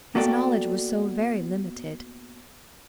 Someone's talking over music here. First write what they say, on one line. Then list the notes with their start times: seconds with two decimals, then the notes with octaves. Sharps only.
His knowledge was so very limited.
0.15 A#3 B3 F#4 A4 D5 G5